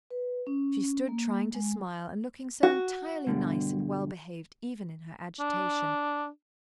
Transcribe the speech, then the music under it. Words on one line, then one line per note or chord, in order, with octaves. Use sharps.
She stood trying to smile, and looking so entirely nice and well-behaved even in her agitation.
B4
C#4
A#3
G#3
F#4
G2 B2 D3
D4